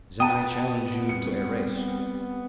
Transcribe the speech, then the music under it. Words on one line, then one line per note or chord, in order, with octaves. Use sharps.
Zen I challenge you to a race.
B3 G5 A5 D#6 D#7
G3 C4 C#7